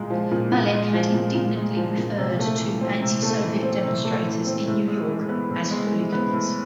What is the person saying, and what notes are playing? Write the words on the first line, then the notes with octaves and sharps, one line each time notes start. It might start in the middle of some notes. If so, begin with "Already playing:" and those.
Malik had indignantly referred to anti-Soviet demonstrators in New York as "hooligans".
Already playing: A#2 G#3
F3
A#2
A#2
G#3
F3
A#2
A#2
G#3
F3
A#2
C3
A3
E3
C4
C3
A3
E3
C4
C3
A3
E3
C4
A2
G#3
E3
B3
A2
G#3
E3
B3
A2